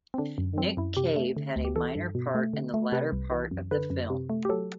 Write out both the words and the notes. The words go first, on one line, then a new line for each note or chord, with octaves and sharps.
Nick Cave had a minor part in the latter part of the film.
C4
D3 D4
F#2
F#3 C4
F#2 E4
C3 G4
A3
D3
D2
G4
E3 A4
G2
B2
A3
D3
A3
C3 B4
C2
E3
F#2
D3 B4
F#2
C3
A3
G4
F#3 A4